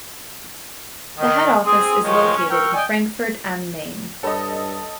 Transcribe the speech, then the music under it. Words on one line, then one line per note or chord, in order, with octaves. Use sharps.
The head office is located in Frankfurt am Main.
D#3
C4 G#4
D#3 F3 G#3 C#5 C#6
C#4
A#4 G5 C#6 E6 F6
D5 D#5 G5 G#5
G2 A4 C#5 D#5 B5